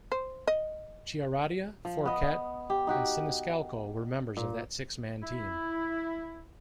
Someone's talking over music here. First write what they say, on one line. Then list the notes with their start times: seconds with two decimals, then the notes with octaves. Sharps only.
Chiaradia, Forquet, and Siniscalco were members of that six-man team.
0.12 C5
0.48 D#5
1.85 F3
2.06 B3 D#5
2.70 G4
2.87 D#4 F#4 G4
4.37 A#2
5.23 E4